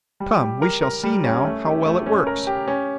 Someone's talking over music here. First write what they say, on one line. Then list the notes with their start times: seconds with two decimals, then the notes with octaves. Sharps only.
"Come, we shall see now how well it works."
0.20 G3
0.41 G4
0.62 A#4
0.82 A#4
1.03 G3
1.24 C#4
1.44 A3
1.65 G4
1.86 A3
2.06 C#4
2.27 A#4
2.47 G4
2.68 C#4